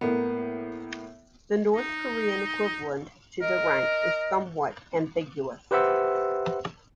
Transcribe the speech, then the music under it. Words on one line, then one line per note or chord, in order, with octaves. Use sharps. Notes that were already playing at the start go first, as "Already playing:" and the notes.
The North Korean equivalent to the rank is somewhat ambiguous.
A2 A#3 B3
D#4
A#4 D#5
G4 B4 C5 E5 F#5 E6